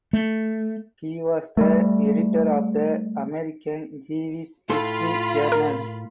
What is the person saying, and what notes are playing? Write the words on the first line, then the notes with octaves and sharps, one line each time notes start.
He was the editor of the "American Jewish History" journal.
A3
G3 A3
A2 F4 A4 B5 C6
A#4